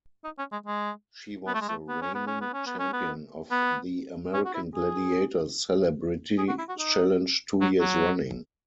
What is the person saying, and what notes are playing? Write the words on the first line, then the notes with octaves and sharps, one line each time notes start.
She was the reigning champion of the "American Gladiators" Celebrity Challenge two years running.
D#4
C#4
G#3
G#3
B3
A3
G#3
A3
B3
C#4
B3
C#4
B3
C#4
B3
C#4
B3
B3
C#4
F#4
E4
G#4
G#4
F#4
E4
F#4
D#4
F#3
F#3